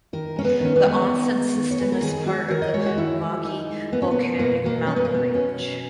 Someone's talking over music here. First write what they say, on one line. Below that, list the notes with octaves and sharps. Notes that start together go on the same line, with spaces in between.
The onsen system is part of the Amagi volcanic mountain range.
D#3 A#4
G#3 C#4
B3
D#3 C#4
B3
G#3
D#3
G#3
D#3
C#5
G#3 B4
A#4
D#3 G#4
G#3 F#4
D#3 A#4
D#5
G#3 C#5
F#4
D#3 E4
G#3
D#3 D#4
G#3
A#3 B3
C#4
B2 B3
B2 A#3
F#3 A#3
A#3 C#4
B3
A#3
B2 B3
B2 C#4
F#3